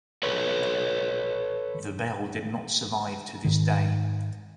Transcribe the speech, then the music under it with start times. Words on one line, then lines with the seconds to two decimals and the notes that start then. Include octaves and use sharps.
The bell did not survive to this day.
0.23 A4 B4 C#5
3.45 G#2 D#3